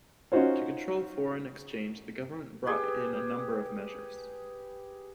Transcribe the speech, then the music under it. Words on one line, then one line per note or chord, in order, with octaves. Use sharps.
To control foreign exchange, the government brought in a number of measures.
C#4 D#4 F4 F#4 C5 C#5
G4 G#4 B4